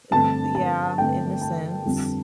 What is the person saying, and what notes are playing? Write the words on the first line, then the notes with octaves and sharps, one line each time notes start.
th yeah, in a sense.
G2 D3 A3 C4 A5
A5
G2 D3 A3 C4 G5
A5
F2 D3 G3 C4